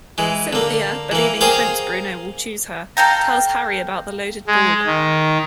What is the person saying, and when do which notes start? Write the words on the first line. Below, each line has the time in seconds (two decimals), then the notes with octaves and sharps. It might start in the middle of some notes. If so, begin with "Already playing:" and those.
Cynthia, believing Prince Bruno will choose her, tells Harry about the loaded ball.
0.18 E3 G#3
0.53 D3 A#3
1.11 E3 A#3
1.41 A#3 G#4 C5 F5 G5
2.97 A4 F5 G5 A#5
4.47 G#3
4.86 D#3